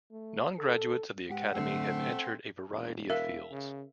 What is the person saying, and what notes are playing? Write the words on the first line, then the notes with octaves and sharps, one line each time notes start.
Non-graduates of the Academy have entered a variety of fields.
A3
A4
G#2 G4 F#5
F#2 A2 D3 A3 C4
E1
A#4 E5 F5
C#3